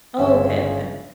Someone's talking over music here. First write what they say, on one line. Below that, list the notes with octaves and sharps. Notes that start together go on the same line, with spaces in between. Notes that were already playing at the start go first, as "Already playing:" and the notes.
Oh, okay, okay.
G1 C#3 E5